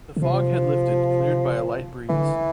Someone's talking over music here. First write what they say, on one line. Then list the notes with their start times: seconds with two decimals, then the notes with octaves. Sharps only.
The fog had lifted, cleared by a light breeze.
0.16 D3
0.22 C3 F3
2.09 D3 E3